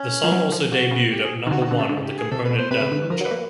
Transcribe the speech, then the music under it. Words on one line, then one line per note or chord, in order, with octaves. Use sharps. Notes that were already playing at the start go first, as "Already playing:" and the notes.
The song also debuted at number one on the component Download Chart.
Already playing: C#4
F3
F#3
F3
C3 F#4
C#3
G4
G#4
D#3
D3 F#4
D#3 F#4
D3
C#3 A4
D3
C#3
G4
G#4
C3 A4
B4
B2
C5
C3 B4
C#3
D3
E3
F3 A#4
F#3 B4
A#3